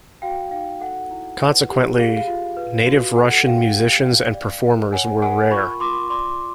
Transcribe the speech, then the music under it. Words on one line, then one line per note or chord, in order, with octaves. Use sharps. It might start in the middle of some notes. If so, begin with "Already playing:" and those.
Consequently, native Russian musicians and performers were rare.
F#4 F5 G5
D#4 F5 G5
A4 F#5
E4
B4
G4
G#4 F5
F5
F4
B4
F#4
A4 F#5
F#4 F5 G5
G4
B4
D5
A#4
C#5 F#5 G#5
A#4 F#5 G#5
F4 B5 C#6
F4 C6 D6
D5 C6 D6